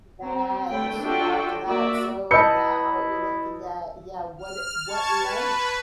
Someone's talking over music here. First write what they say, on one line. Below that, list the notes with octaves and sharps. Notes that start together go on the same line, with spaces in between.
Yeah, and she locked it up, so, now you're looking at yeah, what what length
C4
D3 A3 B4 G5
D4 F4 F#4 A4 E5 G5
A#3 F#4 D5 E5
E4 B4 D#5 A5 B5 E6 G6 C#7
F6
A5 C#6 G#6
B4